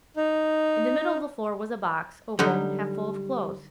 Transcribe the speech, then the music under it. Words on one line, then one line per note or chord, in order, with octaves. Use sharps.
In the middle of the floor was a box, open, half full of clothes.
D#4
D3 F#3 G3 D#4